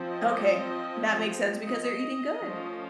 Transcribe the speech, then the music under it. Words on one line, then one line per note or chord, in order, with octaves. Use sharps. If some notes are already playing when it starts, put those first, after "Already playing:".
Okay, that makes sense because they're eating good.
Already playing: F3 C4
D#5
D#5
F3 A3 C#4